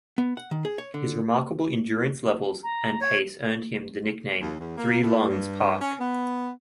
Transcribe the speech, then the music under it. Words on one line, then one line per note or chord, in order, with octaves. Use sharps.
His remarkable endurance levels and pace earned him the nickname "Three-Lungs" Park.
B3
F#5
D#3
G#4
C#5
D3
A#5
C#5
D#2
E2
A#3
A2
G2
C#4
B3